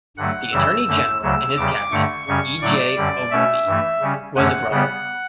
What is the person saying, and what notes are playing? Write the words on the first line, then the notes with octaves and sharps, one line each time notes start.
The attorney-general in his cabinet, E. J. Ogilvie, was a brother.
G2 D3 F#3 A3 F#5
F#2 C#3 E3 G3 E6
F#2 D3 A3
D2 C#3 F#3 E6
E2 C#3 G3 D6
G2 D3 A3 C#6
F#2 C#3 G3 C#4 C#6
A2 F#3 A3 D5
F#2 D3 G3
B2 A3 C#4 E5
G2 E3 A3
C#3 G3 C#4
F#2 D3 A3 C#4 F#5
C#3 G3 B3 F#5